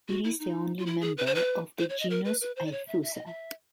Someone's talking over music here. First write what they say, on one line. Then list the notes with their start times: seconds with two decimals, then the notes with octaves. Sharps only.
It is the only member of the genus Aethusa.
0.08 F#4
0.24 E4
0.39 D#4
0.78 F4
0.86 E4
1.01 G#4
1.17 B4
1.26 C5
1.35 B4
1.78 C5
1.89 C#5
2.00 D#5
2.10 A#4
2.25 B4
2.41 B4
2.56 C5
2.66 D5
2.72 C#5
2.87 E5
3.02 E5
3.14 D#5
3.26 E5